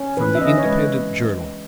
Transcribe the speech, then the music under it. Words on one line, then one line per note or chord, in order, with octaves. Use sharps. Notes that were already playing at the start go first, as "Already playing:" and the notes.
From The Independent Journal.
Already playing: C#4
E3 B4
E5
C#4 D#5
C#5
G#3 B4